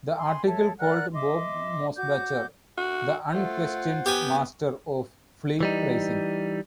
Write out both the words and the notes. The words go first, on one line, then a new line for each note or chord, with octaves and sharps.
The article called Bob Mosbacher "the unquestioned master of fleet racing".
G#5 B5 C6
A4 C#5 E5
A#4 D5 F#5 F#6
D#5 E5 C6 D6
F#4 D6 G6
F#4
A3 F4 C5 F#5
B3 G4 G5 G#5
E3 G3 D#4